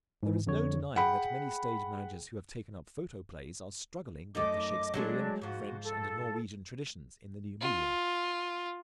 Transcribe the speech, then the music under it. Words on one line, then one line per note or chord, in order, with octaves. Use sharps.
There is no denying that many stage managers who have taken up photoplays are struggling with the Shakespearian French and Norwegian traditions in the new medium.
G#2 E3
F2 D3 C#5
G#4 F#5 G5 B5
F#2 A3 D#4 D#5 D6
F#3 G#3 A3 D4
G#2 F3 F#4
A4
F4